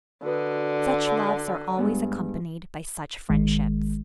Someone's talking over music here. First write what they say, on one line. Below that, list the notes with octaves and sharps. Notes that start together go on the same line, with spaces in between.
Such loves are always accompanied by such friendships.
D3 F#4 B4 D#5
G2 G#3 B3
G#1 D#3 G#3